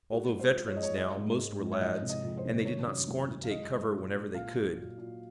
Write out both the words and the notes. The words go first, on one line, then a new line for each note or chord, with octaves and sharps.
Although veterans now, most were lads, and they did not scorn to take cover whenever they could.
G#3 F#4
G#3
C5
F3
C#5
G#3 D#5
C#5
G#3 D#5
G#2
G#2
G#2
C#5
F2 D#5
C3
D#5
F2
C5
C3
D#3 C#5
F#2
F#2
F#2
F5
G#3 D#5
G#3
A#2
G#3
A#2 F5
F#3
A#2
A#2